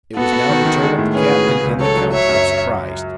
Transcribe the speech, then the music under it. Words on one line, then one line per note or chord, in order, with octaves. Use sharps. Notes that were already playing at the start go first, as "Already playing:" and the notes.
It was now the turn of the captain and the count to look surprised.
B3 F#4 A4
B3
D#3
D#3
G#3
A2
C#4 G#4 B4
F#4
C#3
C#2
F#3 A4 C#5
F#3
F#3 C#5 E5
F#2